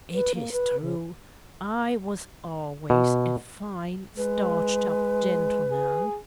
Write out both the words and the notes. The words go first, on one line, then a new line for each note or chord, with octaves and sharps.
It is true, I was always a fine starched-up gentleman!
B4
A#3
B4
C#3
B2
G#3 B4
G#4